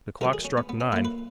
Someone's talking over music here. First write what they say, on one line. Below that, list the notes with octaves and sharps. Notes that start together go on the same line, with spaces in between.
The clock struck nine.
E2 D#3 F#3 A#4
G#4
C#4
B3
B3
C#4
A#2 A#3 E4
B4